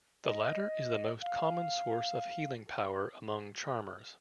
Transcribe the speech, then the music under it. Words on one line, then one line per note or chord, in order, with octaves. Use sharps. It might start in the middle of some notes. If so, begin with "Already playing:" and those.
The latter is the most common source of healing power among charmers.
D#5
F5